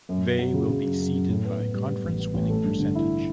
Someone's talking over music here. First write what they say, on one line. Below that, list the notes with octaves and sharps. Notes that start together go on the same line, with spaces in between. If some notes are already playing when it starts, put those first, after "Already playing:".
They will be seeded by conference winning percentage.
F#2
F#2
F#3
C#3
C#3
F#2
F#2
F#2
A2
B3
A2
G3
B3
A1
B3
A1
A3
G2
D3
E4